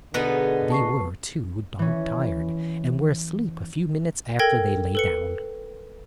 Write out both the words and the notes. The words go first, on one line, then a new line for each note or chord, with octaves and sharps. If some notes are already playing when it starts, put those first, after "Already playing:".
They were, too, dog-tired, and were asleep a few minutes after they lay down.
B2 D3 B3 D#4 G#4
A5 C#6 C7
E3 C#4
A4 A#4 G5 G#6 A#6
A4 B4 C#7